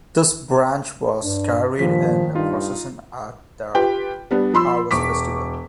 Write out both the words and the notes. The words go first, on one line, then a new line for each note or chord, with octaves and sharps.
This branch was carried in procession at a harvest festival.
G2 D4
G2 A#2 D#3 F3 B6
G2 D#4 F4
F4 G4 B4 G5
G3 B3 D4
F3 B5 C6 E6
E1 C#6 D6 B6